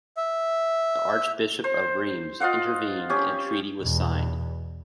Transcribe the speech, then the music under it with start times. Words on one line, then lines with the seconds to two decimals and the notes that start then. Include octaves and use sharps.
The Archbishop of Reims intervened and a treaty was signed.
0.17 E5
1.64 C5
2.40 F4 D#5 F5 F#5
3.10 C#4 G4
3.82 E2 B2